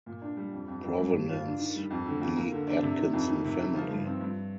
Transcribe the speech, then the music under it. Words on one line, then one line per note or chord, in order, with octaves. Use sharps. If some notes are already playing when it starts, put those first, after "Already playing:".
Provenance: The Atkinson family.
A#2
D4
G3
F2
F2
F2
G2
G2
F4
D4
D#3
G3
F2
D3
F2
A#3
D3
D4
C3
D#3
F2
D#3
C3
D#3
F3
G2
C4
G2